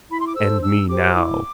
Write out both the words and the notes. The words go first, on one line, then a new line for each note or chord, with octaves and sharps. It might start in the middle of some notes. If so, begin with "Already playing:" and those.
And me now.
E4 B5
C6
D6
A4 C5 E6
D4 E6
G4 C5 D6
E4